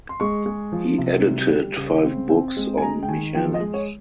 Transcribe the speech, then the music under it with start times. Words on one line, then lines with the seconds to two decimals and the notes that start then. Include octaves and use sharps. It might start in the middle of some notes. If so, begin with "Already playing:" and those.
He edited five books on Mechanics.
0.09 C6
0.20 G#3 C#6
0.46 G#3
0.72 F3
0.98 C3
1.25 G3
1.51 G3
1.77 C#3
2.04 C4
2.30 C4
2.57 G#3
2.78 G#5
2.82 G#3 A#5
3.03 G5
3.08 D#3 G#5
3.35 F3 G5
3.54 D#5
3.60 G#3
3.74 C#5